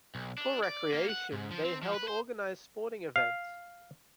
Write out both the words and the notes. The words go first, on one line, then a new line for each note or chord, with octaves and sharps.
For recreation, they held organized sporting events.
B1
D4
D5
A#3
F#5
G#2
F3
C4
F3
B4
C5
F5